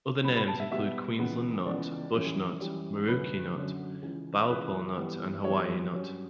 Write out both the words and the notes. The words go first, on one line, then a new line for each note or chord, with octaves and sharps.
Other names include Queensland nut, bush nut, maroochi nut, bauple nut, and Hawaii nut.
B2 G3 B3 B5
B5
A5
E5
B2 G3 B3 E5
C#2 C#3 E3 B3
C#2 C#3 E3 B3 D5
F#2 E3 G3 C#4
F#2 E3 G3 C#4
F#2 D3 F#3 C#4 B4
F#2 D3 F#3 C#4
C#2 C#3 E3
C#2 C#3 E3 B4
G2 E3 G3 B3
G2 E3 G3 B3 C#5
G2 F#3 C#4